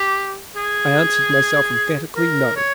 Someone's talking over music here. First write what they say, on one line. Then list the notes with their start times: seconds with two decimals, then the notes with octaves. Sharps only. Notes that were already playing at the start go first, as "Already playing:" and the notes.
I answered myself emphatically, no.
Already playing: G4
0.56 G#4
2.16 A#4
2.56 C#5